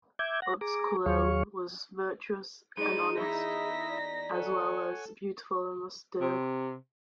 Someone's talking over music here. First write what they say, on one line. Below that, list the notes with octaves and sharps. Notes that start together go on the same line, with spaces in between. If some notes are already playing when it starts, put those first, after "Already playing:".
Utz-Colel was virtuous and honest, as well as beautiful and austere.
E5 D6 G6 G#6
F#5 A#6
G#4 A#5 D6
D#2 F#3 G#4 C#5 F5 C#6
G#2 D#4 G#4 D5 C6 D#7
E2 D#4 E4 D#5 E5 A#6 B6
D5
A4 C#5 F#5 G#5
C3